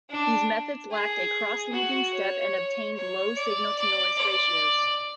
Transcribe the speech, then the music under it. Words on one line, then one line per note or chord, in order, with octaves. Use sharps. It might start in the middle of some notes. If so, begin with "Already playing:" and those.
These methods lacked a cross-linking step and obtained low signal to noise ratios.
D4
G#4
F#4
C#5
C#5
D5
D5
D5